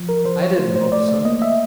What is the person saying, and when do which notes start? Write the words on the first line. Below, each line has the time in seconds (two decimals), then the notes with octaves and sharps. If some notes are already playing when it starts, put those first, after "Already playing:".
I didn't hope so.
Already playing: F3
0.09 A#4
0.25 F3 C5
0.42 C#5
0.58 A3 C5
0.76 C5
0.92 A3 D5
1.09 D5
1.25 A#3 D#5
1.42 E5